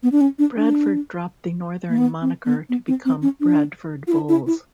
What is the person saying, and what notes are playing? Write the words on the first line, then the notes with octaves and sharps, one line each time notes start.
Bradford dropped the Northern moniker to become Bradford Bulls.
B3
D4
C#4
D4
D4
A#3
B3
C4
B3
B3
C4
C4
C#4
D4
F4
E4
E4
E4